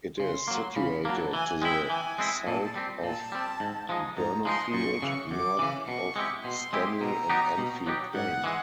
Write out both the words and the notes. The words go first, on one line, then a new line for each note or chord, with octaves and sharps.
It is situated to the south of Burnopfield, north of Stanley and Annfield Plain.
C#3 C6
F#3 A#3
C#3 B5
F#3 A#3 A5
E3 G#5
G#3 C4 E4 G5
E3 G#5
G#3 C4 E4
A#2 A5
G3 C4
A#2 A5
G3 C4
G#2
F3 G#3 B3 D#4
G#2 A#5
F3 G#3 B3 D#4 C6
F#2 C#6
C#3 E3
F#2 D6
C#3 E3
B2 C#6
G#3 C4 E4 G4
B2 C6
G#3 C4 E4 G4
B2 A#5
F#3 B3 D#4 G4
B2
F#3 B3 D#4 G4
G#2 F#5
E3 G#3